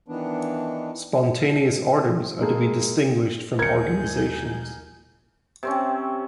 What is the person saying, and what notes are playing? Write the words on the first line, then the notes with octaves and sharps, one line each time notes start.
Spontaneous orders are to be distinguished from organizations.
D#3 E3 B3 D4
G#3 A#3 G#4 A4
D#2 G#4 A#4 G6 G#6 C#7
C3 C4 C#4